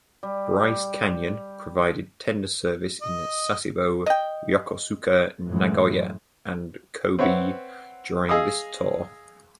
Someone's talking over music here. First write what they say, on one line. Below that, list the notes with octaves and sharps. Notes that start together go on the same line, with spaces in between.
"Bryce Canyon" provided tender service in Sasebo, Yokosuka, Nagoya, and Kobe during this tour.
G3
G4
D#5
D#5 G5
F#2 A2 E3 F#3 G#3 A3
C4 B4 C#5 E5 F#5
G#4 D#5 F5 D#6 E6